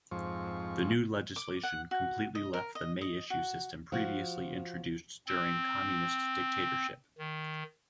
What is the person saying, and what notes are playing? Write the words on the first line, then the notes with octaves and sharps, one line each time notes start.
The new legislation completely left the may issue system previously introduced during communist dictatorship.
F2 G#2 F3 C4 C#6
D6
F#5
F#4
D#5
A#4
D#5
D#5
F#4
F3 F#4
C4
D#3